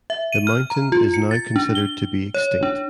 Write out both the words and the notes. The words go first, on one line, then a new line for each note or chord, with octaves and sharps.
The mountain is now considered to be extinct.
E5
D#7
F6
A#5
F4
C#7
A6
D4
G7
C#5
D4